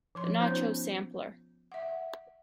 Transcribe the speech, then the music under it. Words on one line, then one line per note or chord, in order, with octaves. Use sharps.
The Nacho Sampler.
F3 C#5 C6
B3 C#4 D#4 F4 C5
E5 F#5